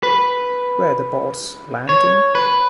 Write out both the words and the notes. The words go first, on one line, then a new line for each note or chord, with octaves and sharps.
Were the boats landing?
B4
C#5
B4